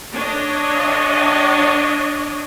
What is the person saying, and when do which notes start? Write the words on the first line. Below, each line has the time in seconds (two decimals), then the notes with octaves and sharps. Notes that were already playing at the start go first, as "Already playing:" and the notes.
I bet!
0.15 D4 C#5 D#5